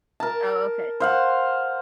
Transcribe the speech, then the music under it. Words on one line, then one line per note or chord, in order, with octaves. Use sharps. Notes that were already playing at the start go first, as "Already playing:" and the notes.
Oh, okay.
A#4 A5
C5 F5 F#5